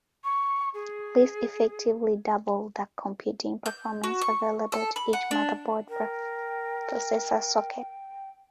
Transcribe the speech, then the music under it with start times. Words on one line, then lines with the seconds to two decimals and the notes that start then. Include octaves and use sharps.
This effectively doubled the computing performance available to each motherboard processor socket.
0.24 C#6
0.74 G#4
3.66 G6
4.04 F#4
4.21 C#6
4.72 A4
4.96 B5
5.13 F#5
5.31 D4
5.89 A#4 G5